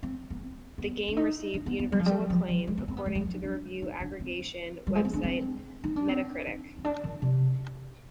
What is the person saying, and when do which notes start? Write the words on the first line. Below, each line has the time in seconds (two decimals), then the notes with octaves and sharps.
The game received "universal acclaim" according to the review aggregation website Metacritic.
0.03 C4
0.30 B3
0.40 C4
0.78 B3
1.08 D4
1.17 D#4
1.54 D4
1.66 B3
1.79 B3
1.92 G3
1.99 F3
2.06 G3
2.30 F3
2.49 F3
2.67 G#3
2.78 B3
2.88 C4
2.97 B3
3.06 G#3
3.15 G3
3.25 F3
3.34 D#4
3.43 D4
3.82 D#4
4.00 D4
4.20 C4
4.87 G3
4.95 G#3
5.05 C4
5.13 D4
5.23 C4
5.84 D#4
5.96 D4
6.09 C4
6.47 D#4
6.78 C4
6.85 D4
7.04 D#3
7.22 C3